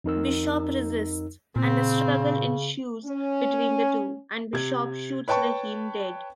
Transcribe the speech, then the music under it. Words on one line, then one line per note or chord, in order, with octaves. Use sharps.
Bishop resists, and a struggle ensues between the two, and Bishop shoots Raheem dead.
F2 D#4 A#4 E6
A#2 C#3 C4
C#4
C3 G#6
B4 C#5 G5 A5 C#6